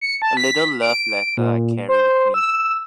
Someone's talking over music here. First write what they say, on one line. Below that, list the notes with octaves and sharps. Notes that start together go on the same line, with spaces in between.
A little love letter I carry with me.
C#7
A5
B6
D7
A#2
C5
E6